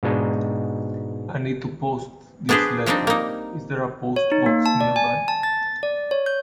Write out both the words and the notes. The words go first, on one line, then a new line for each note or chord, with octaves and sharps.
I need to post this letter. Is there a postbox nearby?
G#2 B2 G#3 D4 D#4
B3 D4 G#4 B4 C5
F3 G3 C4 D4 D#4
A#3 D#4
C#5
D#4
A#3
A5
D5
G#5
A5
A6
D5
C#5
G6